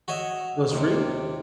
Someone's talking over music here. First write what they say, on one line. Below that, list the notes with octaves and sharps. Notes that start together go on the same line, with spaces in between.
It was free?
F#4 C#5 D#5 E5
D#2 C3